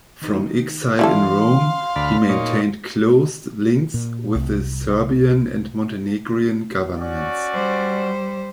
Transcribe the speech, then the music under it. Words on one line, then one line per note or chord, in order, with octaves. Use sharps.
From exile in Rome, he maintained close links with the Serbian and Montenegrin governments.
D#3 D#4
E3 G3 C#4 E4 A4 F5 A#5 C6
D2 D5 B5 F6
A#2 D#4 C#5
A#2
C2
C#4 F#4 D5
G3 C5